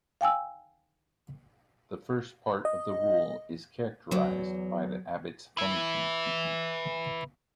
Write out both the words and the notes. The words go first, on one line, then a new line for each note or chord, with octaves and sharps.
The first part of the Rule is characterized by the abbot's function to teach.
F5 G5 G#5 E6
D#5
E2 F#3
B4 E5